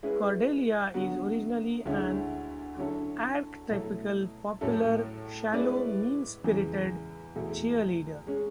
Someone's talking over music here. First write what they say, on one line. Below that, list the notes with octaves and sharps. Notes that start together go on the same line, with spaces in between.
Cordelia is originally an archetypal popular, shallow, mean-spirited cheerleader.
G#3 C#4 E4 G#4 B4
D3 F#3 B3 F#4
D2 D3 G#3 C#4 E4
D3 F#3 C#4 E4 A4
B2 F#3 A3 E4 A4
A2 F#3 C#4 E4 A4
G#3 C#4 E4 B4 D5
E2 C#3 E3 G#3
E2 B2 A3 E4 G#4
G#3 C#4 G#4